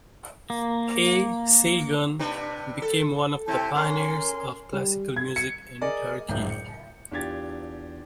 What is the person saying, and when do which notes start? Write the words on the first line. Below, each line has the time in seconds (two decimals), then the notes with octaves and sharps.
A. Saygun became one of the pioneers of classical music in Turkey.
0.50 A#3
2.19 C3 D4 B4
2.82 A4
3.48 C3 C4 E4 A5 G6
3.75 C#4 A#4 G#5 C6
4.73 G3
5.16 G#6
5.36 C#7
5.81 G#4 A#4 D5 D#5
6.28 D1 G#1 C#2 F#2 E5 G6
6.50 C#7
7.11 E2 D4 F4 G4 G#6 A6